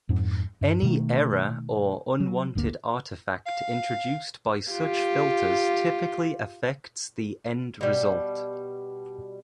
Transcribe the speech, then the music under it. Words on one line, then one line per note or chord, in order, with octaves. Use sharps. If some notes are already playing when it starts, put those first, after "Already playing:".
Any error or unwanted artifact introduced by such filters typically affects the end-result.
F2 G#2
G2
G2 B2 D#3 A3
F#3
G1 D2 C3 A#3
F5
F4 G4
B2 G3